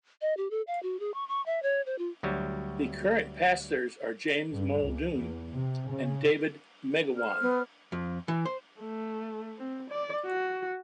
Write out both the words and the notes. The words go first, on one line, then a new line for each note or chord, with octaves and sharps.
The current pastors are James Muldoon and David Magowan.
D#5
G4
A4
F5
F#4
G#4
C#6
C#6
E5
C#5
C5
F4
D2 F#3 G3
G2
C#2
E2
C3
C#3
C5 F6
B3
F2
E3
C5
A3
C4
D5
F#4